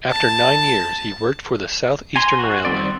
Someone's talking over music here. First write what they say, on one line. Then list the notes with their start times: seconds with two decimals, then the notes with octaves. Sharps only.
After nine years, he worked for the South Eastern Railway.
0.11 A5
2.16 G#5 A#5 C6
2.39 F#4
2.65 D#3 G3 C4 D5